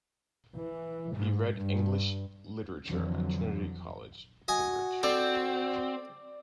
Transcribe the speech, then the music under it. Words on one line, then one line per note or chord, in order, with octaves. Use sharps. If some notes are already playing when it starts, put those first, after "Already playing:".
He read English Literature at Trinity College, Cambridge.
E3
G#2
G2
F2 D3 E3 F#3
F#4 D#5 G#5
C4 A4 D5